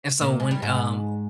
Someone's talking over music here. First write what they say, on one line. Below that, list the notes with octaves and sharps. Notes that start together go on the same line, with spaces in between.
and so when, um
A#2 A#3
G#3
G3
G#2 G#3